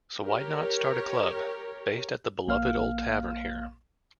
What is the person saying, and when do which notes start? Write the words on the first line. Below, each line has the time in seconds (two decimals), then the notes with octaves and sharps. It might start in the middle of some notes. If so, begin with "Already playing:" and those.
So why not start a club, based at the beloved old tavern here.
0.24 G4 A#4 C#5
2.47 A#1 A#3 F5 F6